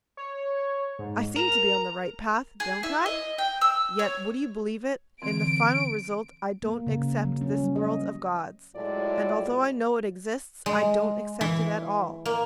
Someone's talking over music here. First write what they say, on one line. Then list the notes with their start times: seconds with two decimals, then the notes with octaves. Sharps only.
I seem to be on the right path, don't I? Yet would you believe it, in the final result I don't accept this world of God's, and, although I know it exists, I don't accept it at all.
0.17 C#5
0.99 G#2
1.36 A#4 A#5
2.60 G#4
2.83 E4
3.06 D#5
3.38 G5
3.61 E6
3.99 C#5
5.22 D3 E3 C4 D7
6.63 A#3
6.87 C#3
7.25 F#3
7.41 C#4
7.58 G3
7.76 D#5
8.75 A2 F#3 G#3 E4 F4 D5
10.66 G#3
11.41 E3
12.26 A#3